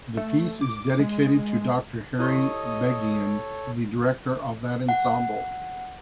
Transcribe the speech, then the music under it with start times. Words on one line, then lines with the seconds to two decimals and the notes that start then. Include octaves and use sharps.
The piece is dedicated to Doctor Harry Begian, the director of that ensemble.
0.17 A3
0.61 D6
1.00 G#3
2.19 E4 G4 A4 C#5 D#5 C#6
4.89 F#5